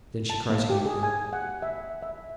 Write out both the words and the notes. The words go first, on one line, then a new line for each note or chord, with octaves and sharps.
Then she cries again.
A5
A#3
G4
G#4
G#5
F#5
E5
E5